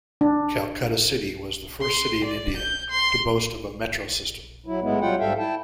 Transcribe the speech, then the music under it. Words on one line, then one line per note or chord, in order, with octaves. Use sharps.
Calcutta city was the first city in India to boast of a metro-system.
D4
C6
D5
G6
C6
F#3 E4
A2 G#3 B3 E4
F#3 G3 F4 F#5 G5
G#2 G3 A4 E5 F5 G5
E4 G5 A5